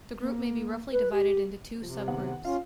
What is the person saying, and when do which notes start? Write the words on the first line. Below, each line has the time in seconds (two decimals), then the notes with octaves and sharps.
The group may be roughly divided into two subgroups.
0.19 A#3
0.92 B4
1.11 G4
1.83 C3 F3
2.08 D#3 B3 F#5
2.45 C#4 F4 F5